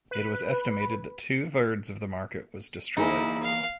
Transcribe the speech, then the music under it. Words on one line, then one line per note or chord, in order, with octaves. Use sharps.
It was estimated that two-thirds of the market was destroyed.
B4
E2 A#3 D#4 E4 G#4
F5